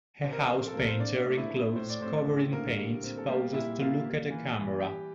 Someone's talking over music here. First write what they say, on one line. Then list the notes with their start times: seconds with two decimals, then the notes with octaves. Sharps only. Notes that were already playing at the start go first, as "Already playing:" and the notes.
A house painter in clothes covered in paint pauses to look at the camera.
0.24 C3 C5
0.32 A#4
0.42 C4 C5
0.49 F3
0.67 A4
0.74 A#3 A#4
0.89 C5
0.99 C4 D4 D5
1.25 A3
1.37 E4 E5
1.50 A3
1.76 A2 C5
1.89 D5
2.01 A2 C4 C5
2.27 A2
2.51 D3 A#3 A#4
2.78 G3
3.03 C4
3.18 A4
3.28 G3 A#3 G4
3.53 A#2 E4 E5
3.79 A#3 F4 F5
4.05 A#3
4.30 E3
4.55 E3
4.80 G3 G4 G5